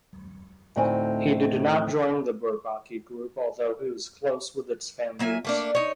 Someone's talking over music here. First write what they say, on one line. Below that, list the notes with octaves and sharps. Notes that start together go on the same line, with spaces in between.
He did not join the Bourbaki group, although he was close with its founders.
D2 A2 A3 C4 D#4 G#5
F#3 A#3 E5 G#5
A3 A#3 D4
D#4 C#5